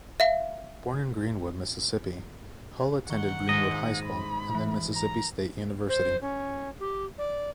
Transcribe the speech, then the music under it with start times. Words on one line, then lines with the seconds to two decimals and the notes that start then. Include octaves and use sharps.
Born in Greenwood, Mississippi, Hull attended Greenwood High School and then Mississippi State University.
0.20 E5 F5
3.10 D#3 F#5 C#6 G7
3.49 G#2 D#3 G#3 D#5 D#7
4.06 B5
4.55 E3
4.94 A#5
5.88 C5
6.21 C#4
6.79 G4
7.18 D5